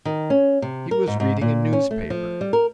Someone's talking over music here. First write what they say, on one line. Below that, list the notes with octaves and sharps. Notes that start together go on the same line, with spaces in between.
He was reading a newspaper.
D#3
C#4
C3
A#4
G#2
G#2
A#2
C#4
A3
F3
G3
A#4